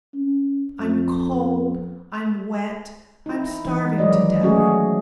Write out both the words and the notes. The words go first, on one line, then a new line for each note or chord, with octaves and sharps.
I'm cold, I'm wet, I'm starving to death.
C#4
F2
D#4 E4
E3 D#4
D#3 F#3 G#3 D5 D#5
A3 C#4 F#4 G#4